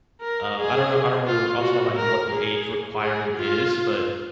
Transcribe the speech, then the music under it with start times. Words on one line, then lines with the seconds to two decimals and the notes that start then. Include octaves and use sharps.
um, I don't know, I don't remember off the top of my head what the age requirement is, but
0.21 A#4
0.56 G#4
1.26 F4
1.61 F#4
1.96 A#4
2.31 G#4
3.01 G#4
3.36 F4